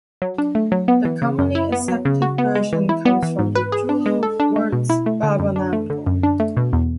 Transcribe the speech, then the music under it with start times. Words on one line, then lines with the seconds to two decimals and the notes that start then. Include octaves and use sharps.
The commonly accepted version comes from the Zulu words 'baba nango'.
0.22 F#3
0.38 D4
0.55 A3
0.72 F#3
0.88 B3
1.05 E3
1.22 C#3
1.38 F#2
1.55 E4
1.72 B3
1.88 F#3
2.05 C#3
2.22 F#4
2.38 B3
2.55 G#3
2.73 E3
2.89 E4
3.05 B3
3.23 E3
3.39 G#2
3.55 B4
3.72 G#4
3.89 D4
4.06 G#3
4.23 A4
4.40 D4
4.56 G#3
4.72 B2
4.90 E4
5.06 A3
5.23 D3
5.39 F#2
5.56 D4
5.73 A3
5.90 D3
6.07 F#2
6.23 D4
6.40 A3
6.57 B2
6.73 E2